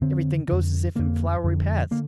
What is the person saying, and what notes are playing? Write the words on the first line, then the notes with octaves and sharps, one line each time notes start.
"Everything goes as if in flowery paths."
F2 D3 C4
F2 D3
F2 D3 A#3
F2 D3
D3 A#3